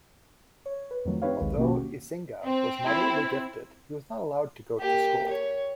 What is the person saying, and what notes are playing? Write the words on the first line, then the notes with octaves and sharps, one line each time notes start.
Although Eisinga was moderately gifted, he was not allowed to go to school.
C#5
B4
F2 D#3 F#3 A3
C4 D#4 G4 B4 C#5 F5
A#1 D#2 D#3 G#3
B2 D#3 A#3 C#4 F#4 G4
C4
E4
A#3 G4
C#5